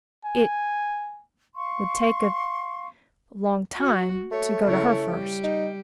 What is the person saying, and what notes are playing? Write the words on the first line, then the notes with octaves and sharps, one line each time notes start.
"It--would take a--long time to go to her first?"
G#5
F5 C6 C#6
F#4
A3 C#5
C#3 E4 C#5
G3 G4
D#4